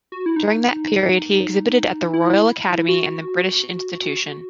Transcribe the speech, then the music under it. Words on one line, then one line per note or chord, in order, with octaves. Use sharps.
During that period he exhibited at the Royal Academy and the British Institution.
F#4
E4
D#4
E4
F#4